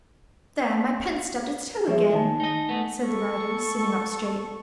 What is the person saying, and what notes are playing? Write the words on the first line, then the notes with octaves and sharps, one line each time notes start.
"There, my pen's stubbed its toe again," said the writer, sitting up straight.
F3 G#4 C#5 E5
D#3 G#5 A5
D#4 D#5
A3 B3
A4 C#6